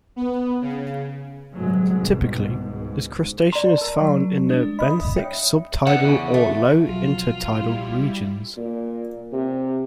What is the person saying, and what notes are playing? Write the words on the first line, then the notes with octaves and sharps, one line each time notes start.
Typically, this crustacean is found in the benthic sub-tidal or low inter-tidal regions.
B3
C#3
G1 A2 C3 F#3 G#3
C2 G#2 B2 D#3
C#2 G#2
D5 A#5 C6
A#4 A5
F#3
G#3 D4
D#5 E5 B5 D#6
C#5 E5 G5
D3 B3 F#5
E2 C#3
A3
B1 F3 F#3 G#3 F4
G3 E4
A#2
C3